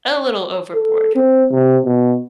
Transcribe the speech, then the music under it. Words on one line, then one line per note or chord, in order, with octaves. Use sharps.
a little overboard
A4
C4
C3
B2